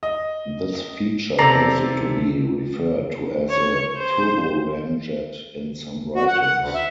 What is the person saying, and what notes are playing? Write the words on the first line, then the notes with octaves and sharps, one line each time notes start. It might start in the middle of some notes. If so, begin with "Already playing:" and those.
This feature caused it to be referred to as a turboramjet in some writings.
D#5
C3 A4 D5 A#5 C7
C#5
C5
F#4
F#5
F#5
D2
E5